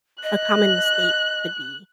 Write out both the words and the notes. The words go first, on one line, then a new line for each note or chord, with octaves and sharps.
a common mistake could be
D#5 F#6